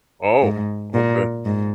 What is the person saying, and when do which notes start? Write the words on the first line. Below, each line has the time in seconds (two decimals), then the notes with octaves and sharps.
Oh. Okay.
0.41 G#2
0.93 A#2
1.44 G#2